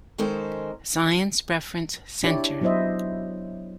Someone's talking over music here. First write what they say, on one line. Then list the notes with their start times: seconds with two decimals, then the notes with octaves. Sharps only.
Science Reference Center.
0.18 D#3 G#3 C#4 A4 A#4 C5
2.23 D4 E4 G4 C#5 D5
2.61 F#3 B3 E4 C5 D#5 E5